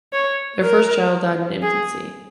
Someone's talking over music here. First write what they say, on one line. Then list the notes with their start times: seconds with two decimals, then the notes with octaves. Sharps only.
Their first child died in infancy.
0.13 C#5
0.62 A#4
1.63 G#4